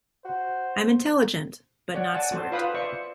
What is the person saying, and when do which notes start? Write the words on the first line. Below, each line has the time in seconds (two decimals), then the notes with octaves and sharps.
I'm intelligent, but not smart.
0.25 F#4 C5
1.94 C#5 D5 F#5
2.14 D5 F#5 G#5 A5
2.32 F#4 A4 C5
2.52 F4 B4 C5 F5 B5 D#6
2.74 C5 D5 E5 C#6